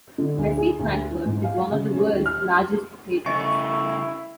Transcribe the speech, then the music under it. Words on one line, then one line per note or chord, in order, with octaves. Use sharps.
Messe Frankfurt is one of the world's largest trade fairs.
D3
D2
G#4
D2
E3
G#2
F5
C#3
C#4
D#2
F6
C#3 A3 E4 D#5 E5 G#5 C#6